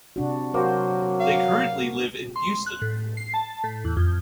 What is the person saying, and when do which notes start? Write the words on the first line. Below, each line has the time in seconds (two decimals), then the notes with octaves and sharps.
They currently live in Houston.
0.16 C3 D4 F#4
0.54 F#3 A#3 F#4 C5
1.20 F5
2.36 C6
2.66 F#6
2.82 A2
3.17 C7
3.34 A5
3.64 A2
3.85 E2
3.97 F2